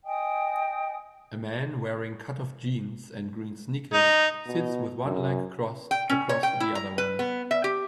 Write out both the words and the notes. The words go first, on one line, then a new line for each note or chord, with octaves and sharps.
A man wearing cutoff jeans and green sneakers sits with one leg crossed across the other one.
D#5 G5 G#5 D#6
D#4
B2
F#2
G5
C#4
C#5
G5
E4
A#5
B4
B3
E5
G4